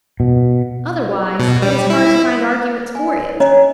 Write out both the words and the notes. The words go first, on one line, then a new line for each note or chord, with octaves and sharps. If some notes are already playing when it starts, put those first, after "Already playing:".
Otherwise it is hard to find arguments for it.
B2
B2
G3
E4
G#5
C#4 C#5 D#5 G#5 A#5